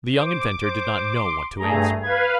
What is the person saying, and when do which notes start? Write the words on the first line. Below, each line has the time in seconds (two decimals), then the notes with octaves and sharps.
The young inventor did not know what to answer.
0.17 C5 D6
0.63 C5
1.15 C6
1.59 G2 A3 G#4 A#5
2.03 B4 F5 G#6